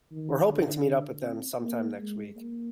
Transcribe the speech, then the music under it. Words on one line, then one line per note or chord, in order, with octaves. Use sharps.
We're hoping to meet up with them sometime next week.
D#3
D3
C4
A#3
G#3
A#3